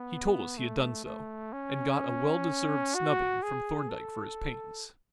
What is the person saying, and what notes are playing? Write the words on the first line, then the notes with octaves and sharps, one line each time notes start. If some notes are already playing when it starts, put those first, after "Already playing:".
"He told us he had done so, and got a well-deserved snubbing from Thorndyke for his pains."
Already playing: B3
A3
A3
C#4
F#4
G#4
A4